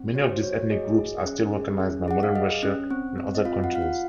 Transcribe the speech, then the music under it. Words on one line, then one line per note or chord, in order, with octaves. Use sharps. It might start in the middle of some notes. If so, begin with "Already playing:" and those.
Many of these ethnic groups are still recognized by modern Russia and other countries.
Already playing: C4
F#4 C#5
C5
F#4 C#5
C#5
G#4 D#5
G#4
C#4
G#4
C#4
G#4 F#5
F5
G#4 D#5
C#4
C4
C4
D#5
F4 F5
F#5
F4 F5
F#5